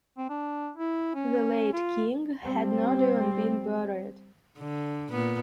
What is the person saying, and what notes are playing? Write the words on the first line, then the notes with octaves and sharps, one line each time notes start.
The late king had not even been buried.
C4
D4
E4
C#4
F4
G3 C4
D3
A#2 B3